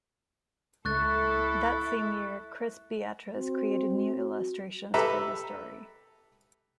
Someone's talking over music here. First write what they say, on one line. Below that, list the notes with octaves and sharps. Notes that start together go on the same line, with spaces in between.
That same year Chris Beatrice created new illustrations for the story.
C#2 E4 A4 C#6 F#6 A6
C4 F#4
G4 A4 B4 E5 A#5 B5